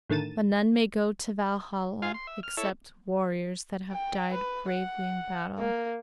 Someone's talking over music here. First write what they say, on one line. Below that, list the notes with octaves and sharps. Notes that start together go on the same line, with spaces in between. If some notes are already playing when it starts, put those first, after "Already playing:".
But none may go to Valhalla except warriors that have died bravely in battle.
A2 D3 D#3 A6 D#7 E7
F4 G#4 F5 C6
C6
E5
F6
E4 A4 C#5 E5
G5
B4
F#5
A#3